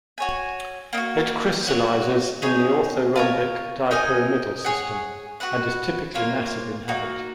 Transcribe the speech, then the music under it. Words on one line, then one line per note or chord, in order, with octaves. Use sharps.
It crystallizes in the orthorhombic dipyramidal system and is typically massive in habit.
F#4 C#5 G#5
A#3 D#4 F#4
F#4 C#5 F#5
D#4 G#4 C#5
F4 A#4 C#5
D#4 A#4 D#5 G#5
G#4 C#5 F#5
F#4 B4 F#5
A#3 F4 A#4 C#5
A#3 D#4 F#4